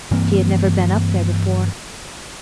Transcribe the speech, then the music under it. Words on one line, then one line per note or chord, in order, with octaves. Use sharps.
She had never been up there before.
G2 E3 A#3 C4